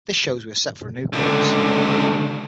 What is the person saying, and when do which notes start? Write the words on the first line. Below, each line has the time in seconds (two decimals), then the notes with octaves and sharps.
This shows we are set for a new course.
1.13 C#2 D3